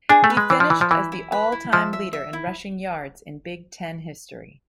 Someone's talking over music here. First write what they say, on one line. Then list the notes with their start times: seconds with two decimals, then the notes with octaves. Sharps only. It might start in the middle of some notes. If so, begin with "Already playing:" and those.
He finished as the all-time leader in rushing yards in Big Ten history.
0.09 D4 G#4
0.24 A3
0.30 B4
0.37 G#3
0.50 E3 D5
0.60 F3
0.70 E3 B4
0.81 F3
0.91 E3 E4
1.12 E4
1.32 B4
1.52 E4
1.72 F3 E5
1.93 E5
2.13 E5
2.33 E4